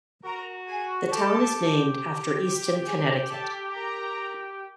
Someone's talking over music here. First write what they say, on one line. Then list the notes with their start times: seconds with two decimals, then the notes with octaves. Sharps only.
The town is named after Easton, Connecticut.
0.24 F#4 A#4 A#5
0.68 G#4 G#5
1.12 G4 A4 A5
2.87 G#4 G#5
3.30 A4 A5
3.74 A#4 A#5